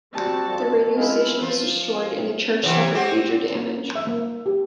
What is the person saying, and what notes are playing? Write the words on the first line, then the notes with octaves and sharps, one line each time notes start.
The radio station was destroyed and the church suffered major damage.
G3 C4 F#4 A5
F2
G#3 E4 F4
F3
C3 E3 F#3
C4 F#4 G4
A#3
E5
A#3
G4